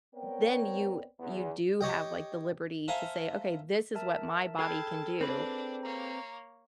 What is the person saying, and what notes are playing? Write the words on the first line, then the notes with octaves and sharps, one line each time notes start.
then you you do have, like, the liberty to say, "Okay, this is what my body can do,
B3 C4 A#4 C#5 D5 G5
E2
G4 C#5 D#5 G5
A4 C5 E5 F5 G#5 A#5
A#4 E5 A5
G#4 A4 G5 A5 B5 F6 G#6
C4 D4 B4 D5
A#3 C#5 A#5